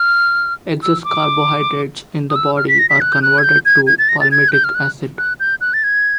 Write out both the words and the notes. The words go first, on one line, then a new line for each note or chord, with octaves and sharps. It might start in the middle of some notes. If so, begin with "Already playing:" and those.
Excess carbohydrates in the body are converted to palmitic acid.
Already playing: F6
E6
D6
D#6
E6
F6
B6
A#6
B6
F#6
G6
F#6
G#6
G6
G#6
G#6
A6
A#6
A6
G#6
F#6
G6
F6
F#6
F#6
G6
F#6
A6
G#6